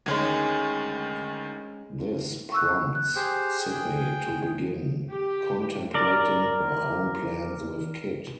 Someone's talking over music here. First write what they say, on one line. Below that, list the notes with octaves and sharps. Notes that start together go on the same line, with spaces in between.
This prompts Sydney to begin contemplating her own plans with Kit.
D2 D#3 G#3 C#4 G#4
C#6 E6 F#6
F#6
G4 G#4 C5
G#4 G5
G4
A#4 D5